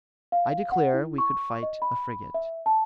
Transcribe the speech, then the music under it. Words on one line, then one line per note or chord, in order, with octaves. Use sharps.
I declare we could fight a frigate.
F5
F#5
E4
C#6
D#5
B5
E5
A5